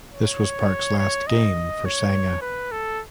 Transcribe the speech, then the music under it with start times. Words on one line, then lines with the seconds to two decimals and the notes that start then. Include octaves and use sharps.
This was Park's last game for Sanga.
0.13 C#5
0.99 C#5
1.27 D#5
1.85 C#5
2.42 B4
2.72 A4